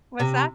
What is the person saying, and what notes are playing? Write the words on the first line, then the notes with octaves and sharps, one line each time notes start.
What's that?
C3